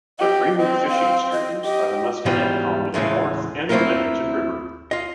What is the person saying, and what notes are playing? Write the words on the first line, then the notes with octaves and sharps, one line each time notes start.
The premier fishing streams are the Musconetcong in the north and the Lamington River.
G4 D#5
C4 D#5
F5
D#5
G4 D#5
G#2 B2 E3 F3 G3
A2 C#3 E3 G#3 A3
A3 A#3 C4 E4 F4 A#4
F4 D#5